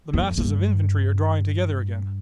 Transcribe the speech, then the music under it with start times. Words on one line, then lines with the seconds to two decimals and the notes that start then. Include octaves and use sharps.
The masses of infantry are drawing together again.
0.13 F2
0.38 G2